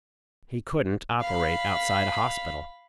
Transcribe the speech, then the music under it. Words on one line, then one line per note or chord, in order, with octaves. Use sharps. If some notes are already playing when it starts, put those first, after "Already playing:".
He couldn't operate outside a hospital.
F5 B5